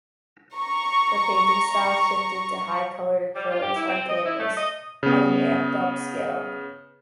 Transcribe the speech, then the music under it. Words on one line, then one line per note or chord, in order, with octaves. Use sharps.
Her painting style shifted to high-colored acrylics on canvas, on an amped-up scale.
A#5 C#6
G3
F4
G4
E4
C4
D#5
E4
A3
D#5
C#3 B3